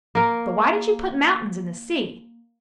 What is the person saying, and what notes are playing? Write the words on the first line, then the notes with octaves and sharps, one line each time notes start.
"But why did you put mountains in the sea?"
A#3 A#4